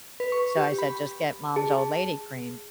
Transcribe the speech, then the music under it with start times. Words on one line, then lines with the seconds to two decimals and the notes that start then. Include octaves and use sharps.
So, I said, "Just get mom's old lady cream,"
0.20 B4
0.32 C#6
0.57 G4
0.78 B5
1.56 G#4 A5